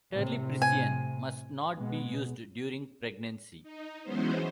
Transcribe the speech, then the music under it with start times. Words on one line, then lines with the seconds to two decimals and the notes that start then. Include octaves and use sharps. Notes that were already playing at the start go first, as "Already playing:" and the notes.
Terlipressin must not be used during pregnancy.
0.11 A2 C3
0.62 G#5
1.75 B2 G#3 B3
3.63 D#4
4.03 E3 F#3 G#3 B3 C#4 C5